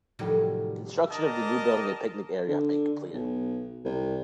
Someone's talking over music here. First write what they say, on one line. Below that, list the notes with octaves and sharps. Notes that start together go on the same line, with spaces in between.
Construction of the new building and picnic area have been completed.
F2 A2 C3 D#3 F#3 G3
D4 G4 A#4 D#5 A5
D3
B1
C2